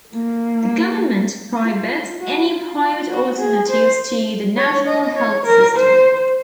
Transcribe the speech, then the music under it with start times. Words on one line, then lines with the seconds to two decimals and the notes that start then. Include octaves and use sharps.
The government prohibits any private alternatives to the national health system.
0.13 A#3
1.61 F4
2.21 F#4
2.51 F4
2.80 F4
3.09 F#4
3.39 G#4
3.69 C5
4.57 C#5
4.87 D#5
5.16 C#5
5.45 A#4
5.76 C5